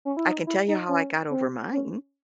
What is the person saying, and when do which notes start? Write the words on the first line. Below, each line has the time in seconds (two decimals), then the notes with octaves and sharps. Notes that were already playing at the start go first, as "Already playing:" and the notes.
I can tell you how I got over mine.
0.05 C#4
0.17 E4
0.26 D#4
0.47 E4
0.68 D#4
0.89 C#4
1.30 C4
1.73 C#4